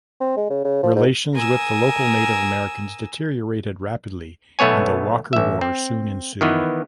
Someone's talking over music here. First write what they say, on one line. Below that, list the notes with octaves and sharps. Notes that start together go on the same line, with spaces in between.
Relations with the local Native Americans deteriorated rapidly and the Walker War soon ensued.
C4
G#3
C#3
C#3
F3
G#2
A#4 G#5 D#6 E6
B1 A3 B3 C#5 G#5
A1 E5
C4
D#3 E3 B3